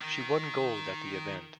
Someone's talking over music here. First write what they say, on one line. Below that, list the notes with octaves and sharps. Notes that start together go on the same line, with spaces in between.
She won gold at the event.
D#3